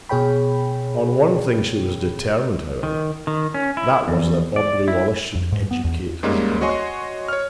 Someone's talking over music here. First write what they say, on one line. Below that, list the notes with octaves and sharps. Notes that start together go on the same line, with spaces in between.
On one thing she was determined, however: that was that Aubrey Wallace should educate his boy.
B2 G#4 C#5 G5 B5
D#3
D#3
C#4
E4
E2
D5
E4
F2
G#2
B3
E2
G#2 G3 G#3 A#3 C#4
F#4 C#5 D#5 G#5 C6 C#6
C#5 F6